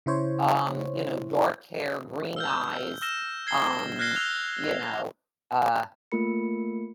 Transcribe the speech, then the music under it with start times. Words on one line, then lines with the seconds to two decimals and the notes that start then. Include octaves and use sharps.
um, you know, dark hair, green eyes, um, you know, uh,
0.06 C#3 E4 C5 C#5
2.36 E6 F6 G6
3.02 E6 F6 A#6 E7
3.47 G#6 C7 G7
3.99 F6 F#6 G#6 A#6 C7 G7
4.16 E6 F#6 A#6 F7
6.12 A3 A#3 F4 A#4 B5 C#7